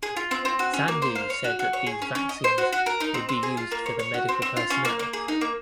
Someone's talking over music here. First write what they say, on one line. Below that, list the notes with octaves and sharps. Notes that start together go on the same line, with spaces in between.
Sandu said that these vaccines would be used for the medical personnel.
G#4
F4
C4
C4
F#4
C#4
A#3
C5
F5
C#5
F#4
F#4
C#5
G#4
C#4
C#4
D#5
C5
F#4
F#4
A#4
D#4
C4
C4
G#4
F4
A#3
C#5
C#5
F#4
C4
C4
F4
C#4
A#3
A#3
G#4
D#4
A#3